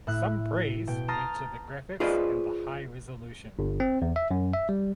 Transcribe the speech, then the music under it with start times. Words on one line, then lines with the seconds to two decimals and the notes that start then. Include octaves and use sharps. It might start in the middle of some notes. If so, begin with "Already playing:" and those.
Some praise went to the graphics and the high resolution.
0.07 A2 E4 F#6
0.87 B2 G5
1.08 A5 A#5 C6 D#6 F6 A6
2.00 F4 G#4 B4 C5 D5 D#5
3.59 G1
3.80 C4
4.02 E2
4.16 E5
4.31 F#2
4.53 E5
4.69 G3